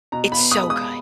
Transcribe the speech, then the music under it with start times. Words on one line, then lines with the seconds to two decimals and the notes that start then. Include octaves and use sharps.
it's so good.
0.12 B2 A#5
0.32 B5
0.38 B3
0.52 D#6
0.64 G#3
0.70 D#6